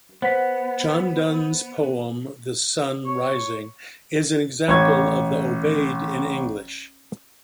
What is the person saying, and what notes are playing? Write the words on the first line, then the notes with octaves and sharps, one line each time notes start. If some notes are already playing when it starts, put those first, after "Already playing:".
John Donne's poem "The Sunne Rising" is an example of the aubade in English.
B3 C5 F#5 B6
C#5
A1 C#6 G#6